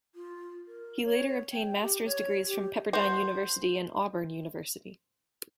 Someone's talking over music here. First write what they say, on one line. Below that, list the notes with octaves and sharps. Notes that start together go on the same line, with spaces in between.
He later obtained Master's degrees from Pepperdine University and Auburn University.
F4
A#4
C#5
G5
G4
C#5
G4
F#4 C5